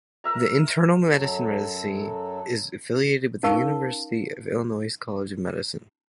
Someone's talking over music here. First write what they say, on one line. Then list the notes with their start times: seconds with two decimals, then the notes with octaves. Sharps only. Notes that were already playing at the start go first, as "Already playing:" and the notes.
The internal medicine residency is affiliated with the University of Illinois College of Medicine.
0.24 A#4 E5 A#5
1.12 F#2 F#3 A4
3.43 C#4 D#4 A#4 F5 A5 C#6